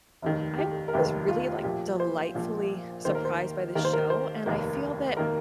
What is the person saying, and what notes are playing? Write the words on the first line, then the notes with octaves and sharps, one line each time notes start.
I was really, like, delightfully surprised by this show, and I feel that
F1 D#2 D#3
G4
A#4
F1 D#2 D#3 G4
F4
A#1 A#2 F3 G4
C5
A#1 A#2 F3
D#2 D#3 A#3 C5
A#4
C5
D#2 D#3 A#3 A#4
C5
A#4
C5
F1 D#2 D#3 A#3
D#3 A#3 A#4